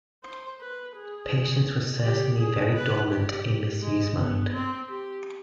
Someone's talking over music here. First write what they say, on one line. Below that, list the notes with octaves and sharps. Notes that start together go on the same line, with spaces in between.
Patience was certainly very dormant in Miss U.’s mind.
C5
B4
G#4
G4
G#4
B4
G4
G#3
B3
C4
G4